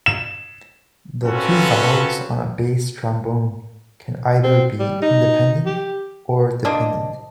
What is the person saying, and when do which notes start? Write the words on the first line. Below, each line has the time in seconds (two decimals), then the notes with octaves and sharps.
The two valves on a bass trombone can either be independent or dependent.
0.06 E7
1.24 C4 C#4 F4 F#4 A4 B4
4.43 C4
4.79 G3
5.02 D#4
5.66 G4
6.65 A#3 C4 D4 D#5